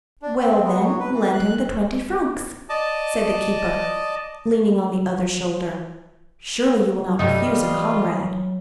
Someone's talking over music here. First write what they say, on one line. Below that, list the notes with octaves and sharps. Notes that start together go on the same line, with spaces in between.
"Well, then, lend him the twenty francs," said the keeper, leaning on the other shoulder; "surely you will not refuse a comrade!"
D4
C4
B3
F#3
B4
E3
F#6
D5 D#5 A5
G2 C3 G3 A3 D#4 D#5
E3 F4
F#3